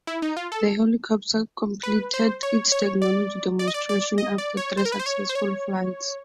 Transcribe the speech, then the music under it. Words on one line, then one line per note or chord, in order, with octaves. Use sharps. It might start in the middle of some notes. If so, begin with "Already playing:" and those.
The helicopter completed its technology demonstration after three successful flights.
E4
D#4
F4
A4
B4
C5
C#5
C#5
D5
D5
D#5
D5
D5
D#5
D5
C#5
C5
A#4
B4
C5
C#5
C5
C#5